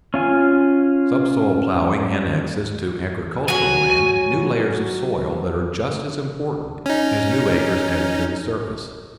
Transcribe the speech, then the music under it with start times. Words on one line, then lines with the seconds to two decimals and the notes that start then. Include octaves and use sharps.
Subsoil ploughing annexes to agricultural land new layers of soil that are just as important as new acres added to the surface.
0.14 C#4 F4 G#5
3.48 F#3 F#4 G#5
6.86 C#4 D#4